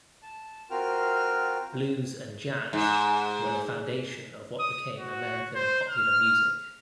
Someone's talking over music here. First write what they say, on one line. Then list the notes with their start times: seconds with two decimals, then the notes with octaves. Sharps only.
Blues and jazz were the foundation of what became American popular music.
0.22 A5
0.71 C4 F4 F#4 A#4 G5 F6
2.73 G#2
4.60 D#6
4.98 F#4
5.55 C5
5.90 F6